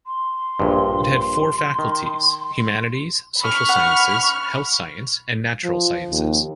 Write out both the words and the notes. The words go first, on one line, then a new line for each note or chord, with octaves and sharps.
It had four faculties: Humanities, Social Sciences, Health Science and Natural Sciences.
C6
A#1 G2
D#3
B5 C#6 F6
F#5
F3
D#2